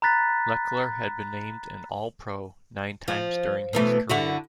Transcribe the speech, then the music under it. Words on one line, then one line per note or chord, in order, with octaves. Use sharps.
Lechler has been named an All-Pro nine times during his career.
A#5 B5 F#6 A6 B6
F3
B2 E3 A3
D3 E4 F#4